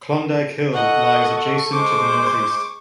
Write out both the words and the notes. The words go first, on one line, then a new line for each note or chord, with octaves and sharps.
Klondike Hill lies adjacent to the northeast.
A4 D#5 F#5 C#6
G#3 C5 D6